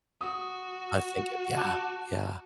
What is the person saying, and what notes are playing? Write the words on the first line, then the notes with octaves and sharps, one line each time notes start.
I think it yeah, yeah.
F#4 D#6
A5 D6 F#6